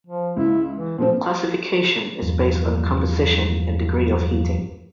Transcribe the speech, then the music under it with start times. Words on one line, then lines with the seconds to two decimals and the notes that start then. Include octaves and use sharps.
Classification is based on composition and degree of heating.
0.07 F3
0.37 C#2 E4
0.77 E3
0.98 A#2 F3 A3 C4
2.22 E2 G2 F3